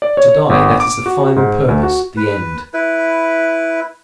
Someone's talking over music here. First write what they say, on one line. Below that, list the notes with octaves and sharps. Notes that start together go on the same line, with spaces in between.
To die, that is the final purpose, the end.
D5
C#5
G1
D6
F#4
G#2
D2
F#4
B4
E4 B4